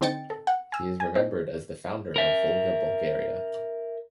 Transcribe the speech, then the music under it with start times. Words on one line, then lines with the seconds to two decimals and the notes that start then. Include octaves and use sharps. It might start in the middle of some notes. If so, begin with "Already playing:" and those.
He is remembered as the founder of Volga Bulgaria.
0.01 D3 C4 D#4 G5 A6 C#7
0.30 A4
0.47 F#5
0.72 G#5 E6
1.00 G#5
1.15 C4 D#4
2.16 A#4 E5